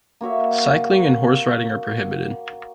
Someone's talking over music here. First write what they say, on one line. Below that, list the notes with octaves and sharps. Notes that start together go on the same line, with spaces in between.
Cycling and Horse Riding are prohibited.
A#3 F#4 C#5 E5